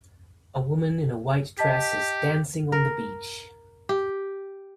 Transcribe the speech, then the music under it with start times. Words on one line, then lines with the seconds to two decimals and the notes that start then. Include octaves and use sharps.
A woman in a white dress is dancing on the beach.
1.59 G4 D#5 A5 B6
2.72 A#4
3.89 G4